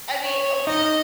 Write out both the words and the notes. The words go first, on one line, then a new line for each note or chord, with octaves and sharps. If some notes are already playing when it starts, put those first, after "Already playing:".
I mean, ok
C#5
D#4 D#5